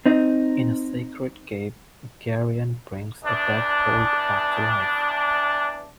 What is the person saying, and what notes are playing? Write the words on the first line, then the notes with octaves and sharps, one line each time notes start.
In a sacred cave, Garion brings a dead colt back to life.
C4 D#4
E2 D4